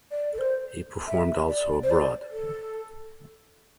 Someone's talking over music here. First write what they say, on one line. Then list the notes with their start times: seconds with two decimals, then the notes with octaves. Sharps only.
He performed also abroad.
0.11 D5
0.33 A4
0.38 C5
1.07 E5
1.48 D5
1.83 C5
1.90 D5
2.31 A4